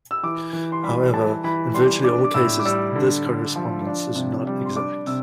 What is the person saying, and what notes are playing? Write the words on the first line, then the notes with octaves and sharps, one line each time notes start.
However, in virtually all cases, this correspondence is not exact.
E6
E3 D6
E3
C6
G3 B5
E3 A5
E3 B5
G3 C6
D4 D6
D6
A2 E6
D6
G3 E6
D3
D3
F3
D4
C3
G3
C6
D4 D6
C3 E6